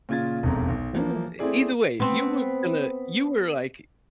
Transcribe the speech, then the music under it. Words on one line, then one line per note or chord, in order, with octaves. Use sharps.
Oh, either way, you were gonna you were like,
A#2 C#3 F4 G#6 A6
E1 B1 F2 A#5
B1
E3 F3 A#3 E4
A3 C4 E4 G#4 D5
B3 C4